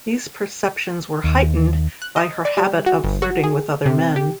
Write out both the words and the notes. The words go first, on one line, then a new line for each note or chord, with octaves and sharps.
These perceptions were heightened by her habit of flirting with other men.
D#2
F#6
D#5
D5
G3
F#4
G1
F#4
G#4
C3
G4